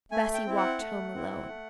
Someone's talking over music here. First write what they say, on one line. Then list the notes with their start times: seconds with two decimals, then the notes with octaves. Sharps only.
Bessy walked home alone.
0.11 A3 G#5
0.34 G5
0.46 C4 E4
0.57 F#5
0.80 A3
1.14 C4 E4
1.48 A3